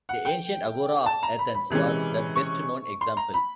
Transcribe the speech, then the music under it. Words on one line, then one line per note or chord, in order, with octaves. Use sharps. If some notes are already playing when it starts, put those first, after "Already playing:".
The Ancient Agora of Athens was the best-known example.
F#5
G5
A5
A#5
B5
B5
C3 E3 G#3 C#4
C#6
C6
A#5
B5